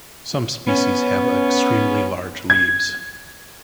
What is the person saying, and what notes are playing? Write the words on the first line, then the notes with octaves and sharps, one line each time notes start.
Some species have extremely large leaves.
B3 C#4
G#6